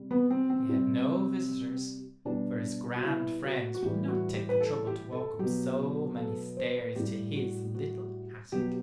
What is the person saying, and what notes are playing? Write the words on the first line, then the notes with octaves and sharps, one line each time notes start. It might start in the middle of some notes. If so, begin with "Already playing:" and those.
He had no visitors, for his grand friends would not take the trouble to walk up so many stairs to his little attic.
Already playing: C3 G3
B3
C4
C4
C3 G3
B2 G3 D4
F#4
E4
F#4
F#4
A2 E3 G3 G4
F#4
G4
B4
A4
G4
A4
B2 F#3 G4
A4
C5
B4
A2 G3 G4
F#4
F#4
B2 F#3 G4